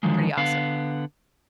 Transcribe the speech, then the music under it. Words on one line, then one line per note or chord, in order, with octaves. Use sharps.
pretty awesome.
D3 D#3 F3 F#3 G#3
D3 B3 F5